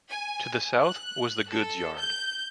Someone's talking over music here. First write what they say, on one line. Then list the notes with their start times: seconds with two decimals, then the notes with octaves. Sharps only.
To the south was the goods yard.
0.10 G#5
0.83 F#6
1.50 A4
1.98 G6